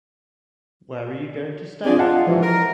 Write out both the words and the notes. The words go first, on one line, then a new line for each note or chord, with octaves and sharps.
Where are you going to stay?
C4 D4 F4 G#4 D5
F4 D#5 F#5 A5
G#2 C3 E3 F3
A#4